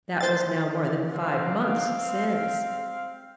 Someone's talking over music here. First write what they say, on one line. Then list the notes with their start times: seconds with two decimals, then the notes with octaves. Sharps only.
That was now more than five months since.
0.21 C5 A6
1.12 C4 F5